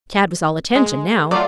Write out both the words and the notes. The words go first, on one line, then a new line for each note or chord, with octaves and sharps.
Tad was all attention now.
G#3
F#3 A3 F4 D5